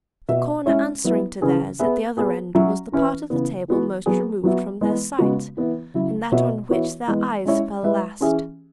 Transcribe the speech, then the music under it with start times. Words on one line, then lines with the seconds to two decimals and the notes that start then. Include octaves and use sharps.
The corner answering to theirs at the other end was the part of the table most removed from their sight, and that on which their eyes fell last.
0.28 B2 B3 F#4 E5
0.66 G#3 C#4 E4 C#5 E5
1.04 F#3 B3 E4 B4
1.41 C#3 E3 C#4 G#4 B4
1.79 B3 G#4 B4 E5
2.17 B3 G#4 B4
2.55 F#3 C#4 F#4 E5
2.92 E3 C#4 E4 B4
3.30 C#3 E3 B3
3.68 E3 B3 F#4
4.06 F#3 B3 G#4
4.44 F#3 B3 F#4 E5
4.81 E3 G#3 B3
5.19 C#3 G#3 B3 F#4
5.57 E3 B3 E4
5.94 C#3 F#3 E4
6.32 B2 B3 F#4 C#5 E5
6.70 E3 B3 F#4 C#5 E5
7.07 E3 G#3 B3
7.45 G#3 C#4 E4 C#5 E5
7.83 G#3 E4 B4 E5
8.20 E3 C#4 G#4 E5